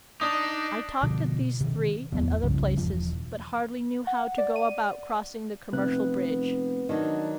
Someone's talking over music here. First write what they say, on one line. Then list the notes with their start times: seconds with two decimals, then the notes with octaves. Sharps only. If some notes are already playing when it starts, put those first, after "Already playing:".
I talked at these three and other places, but hardly knew how to go about crossing the commercial bridge.
0.21 D4 D#4 D#6
1.03 B2 D3 F3
1.61 C3 D#3
2.12 D1 E2 F3 B3
2.43 C2 G2 C#3 F3
2.77 E1 E2 F3
4.07 F#5
4.38 D5
4.56 D#7
5.73 F1 C3 B3 F#6
6.89 D#3 F#3 D4